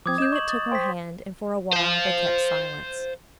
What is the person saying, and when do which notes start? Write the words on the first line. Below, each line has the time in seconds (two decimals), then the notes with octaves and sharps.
Hewett took her hand, and for a while they kept silence.
0.06 F3 C4 D6 D#6 G#6
0.18 D#5 G6 E7
0.32 C#6 F#7
0.49 D#6 A6
0.72 C5 G5 C6 B6
1.73 C5 F5